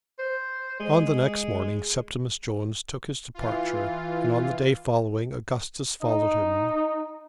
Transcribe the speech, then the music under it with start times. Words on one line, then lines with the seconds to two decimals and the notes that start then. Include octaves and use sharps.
On the next morning Septimus Jones took his departure, and on the day following Augustus followed him.
0.19 C5
0.80 G#3
3.34 E3 F4
6.03 D#4 D#5